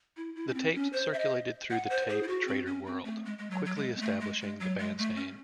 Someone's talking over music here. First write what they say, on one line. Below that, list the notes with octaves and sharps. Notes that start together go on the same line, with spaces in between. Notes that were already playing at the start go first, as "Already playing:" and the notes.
The tapes circulated through the tape trader world, quickly establishing the band's name.
E4
E4
C#4
C4
C#4
C5
E5
D#5
F#5
C5
G#4
E4
F#4
C4
C#4
C4
A3
G#3
G#3
F#3
F#3
G#3
C4
A3
G#3
G#3
F#3
G#3
A3
C#4